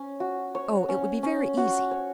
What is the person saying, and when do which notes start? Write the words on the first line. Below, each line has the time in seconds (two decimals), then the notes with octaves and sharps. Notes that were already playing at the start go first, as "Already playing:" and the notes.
"Oh, it would be very easy!"
Already playing: C#4
0.20 F#4
0.55 C#5
0.89 C#4
1.23 C#4
1.57 F#4
1.91 C#5